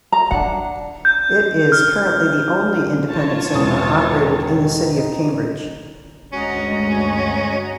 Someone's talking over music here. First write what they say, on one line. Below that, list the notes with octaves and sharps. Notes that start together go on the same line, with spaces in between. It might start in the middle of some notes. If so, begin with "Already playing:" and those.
It is currently the only independent cinema operated in the city of Cambridge.
A#5
D4 F#5
G6
F6
F4 C#5 A5
E1 E3 D#6
D#3
D#4
D2 G2 G#3 C#4 F#4 D#5 A#5